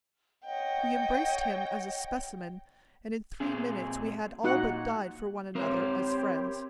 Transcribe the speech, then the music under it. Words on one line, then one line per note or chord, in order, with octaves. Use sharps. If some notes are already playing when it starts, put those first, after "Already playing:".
We embraced him as a specimen, and in three minutes we had all but died for one another as friends.
C#5 D#5 F#5 G5
A#2 C4 G#4
A#2 D#4 F#4 F#5
C4 G4 A#4 C5 C#5